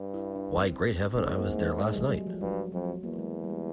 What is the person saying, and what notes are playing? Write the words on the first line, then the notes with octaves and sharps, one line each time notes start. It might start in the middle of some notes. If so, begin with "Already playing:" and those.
Why, great heaven, I was there last night!
Already playing: G2
E4
D4
C4
G#2 C4
A#3
A3
G#3
G#3
G3
F#3
F3
G2 F#3
F2 F#3
E2 A#3
G#3
G3
G#3